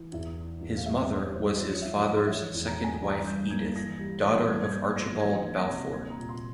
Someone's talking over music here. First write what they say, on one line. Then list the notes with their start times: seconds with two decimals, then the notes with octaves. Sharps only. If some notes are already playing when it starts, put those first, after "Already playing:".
His mother was his father's second wife Edith, daughter of Archibald Balfour.
Already playing: E3
0.12 E2 E5
0.37 E3
0.61 E2
0.76 F5
0.86 G3 E5
1.10 G3 C#5
1.34 G3 C5
1.57 F3 C#5
1.71 C#5
1.82 F3 E5
2.06 G#2 C5
2.27 E5
2.30 E3 C#5
2.54 E2
2.67 A#5
2.79 E3
2.84 G#5
3.02 G2 A#5
3.27 G2 G6
3.51 A#3 G#6
3.75 E3 A#6
3.99 G3
4.23 E3
4.48 G2 G#6
4.64 G#6
4.72 A#3 G6
4.96 F3 A#6
5.20 E3 G#6
5.45 A#3
5.57 A#6
5.69 C3
5.92 A#3 G#6
6.10 A#5
6.17 A#2
6.29 C6